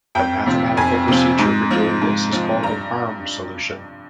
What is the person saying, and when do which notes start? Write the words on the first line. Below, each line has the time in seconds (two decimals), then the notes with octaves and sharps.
The mathematical procedure for doing this is called an arm solution.
0.15 F2 G5
0.46 C3 F3
0.77 F2 G#5
1.08 C3 F3
1.39 G#2
1.71 F3
2.02 G#2
2.33 F3
2.63 G2 A#5